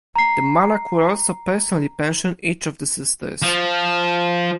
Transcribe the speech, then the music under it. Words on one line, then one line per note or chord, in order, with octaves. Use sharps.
The monarch will also personally pension each of the sisters.
A#5 C7
F3